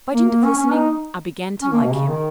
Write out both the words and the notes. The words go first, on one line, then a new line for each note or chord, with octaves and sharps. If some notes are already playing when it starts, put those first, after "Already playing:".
By dint of listening, I began to like him.
A#3
A#3
C#4
C#4
D#4
C#4
A#3
B2
C#3
D#3